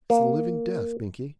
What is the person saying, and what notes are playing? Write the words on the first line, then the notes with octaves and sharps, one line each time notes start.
It's the living death, Binkie.
A#3